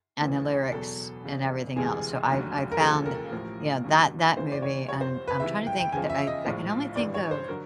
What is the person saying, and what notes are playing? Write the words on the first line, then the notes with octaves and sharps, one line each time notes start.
and the lyrics and everything else. So I I found, you know, that that movie, and I'm trying to think. The I I can only think of
E1 D2 C#3 E3
E2 B2 F#3 A4
F1 E2 C#3
E1 D2 C3 E3 G#4
F1 D#2 D3 F#3
A#4
E1 D#2 C#3 F3 A4
A#4
A1 A2 F3
D#2 D3 F#3
D2 C#3 E3 C5
D5
C#5
F#1 F2 C3 C#5
C5
B4
C#2 C3 E3 E5
G5
G5
E2 C#3 F3 G#5
E5
D#5
A#1 A2 F3
G#1 G2 E3 D5
C#5
C5
D3 F#3 A#4